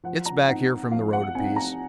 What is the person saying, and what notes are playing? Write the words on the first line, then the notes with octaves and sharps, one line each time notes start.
It's back here from the road a piece.
F3 F#5
A#5
C4 D#4 F#5
F3 F5
F#5
C4 D#4 G#5
A#5